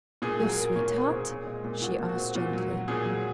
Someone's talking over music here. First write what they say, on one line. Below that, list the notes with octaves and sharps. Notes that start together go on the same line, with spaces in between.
"Your sweetheart?" she asked gently.
A#2 G#4
F#3
A#4
A#3
A#2 C#5
A#2
C5
A#2 G#4
A#2
G#3
A#2
A#2 F#4
A#2
F#4
C4
A#2 F#4
F#3
F#3
A#2 G#4
F#3